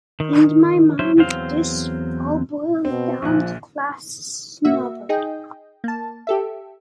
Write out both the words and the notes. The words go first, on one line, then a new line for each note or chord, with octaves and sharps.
In my mind, this all boils down to class snobbery.
D#3
F#3 C#4 E4 C5
E2 F#3 C4 C5 F5
B2 C4
A#1 A#2 F3 F#6
A#3 F#4 E5
D#4 G#4 D#5 G5
A#3 A5
G4 A4 E5